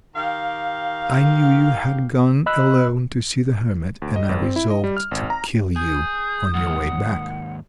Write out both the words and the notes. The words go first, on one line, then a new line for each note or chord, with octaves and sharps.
I knew you had gone alone to see the hermit, and I resolved to kill you on your way back.
D#3 G4 F5
D#5 B5 E6 F#6
D2
D#5
G#1
C4
E4
D#5
G3
F6
G#1
A#5
G#4 D#6 G6
D#2 G#2 F#5